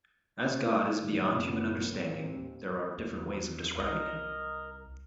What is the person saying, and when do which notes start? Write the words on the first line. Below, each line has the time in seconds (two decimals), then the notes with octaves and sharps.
As God is beyond human understanding, there are different ways of describing him.
0.98 A2 D3 D#3 G3 G#3
1.27 F#2 A2 C#3 A#3 B3 C#4
1.89 G#1 D2 A2 G#3 A#3 C4
2.24 D#2
2.98 E2
3.80 C2 A#4 D#5